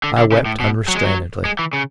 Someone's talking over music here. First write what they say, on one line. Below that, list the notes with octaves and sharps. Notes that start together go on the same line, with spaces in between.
I wept unrestrainedly.
D3
D3
C#3
A2
B2
F#3
G#3
F#3
G#3
E3
C#3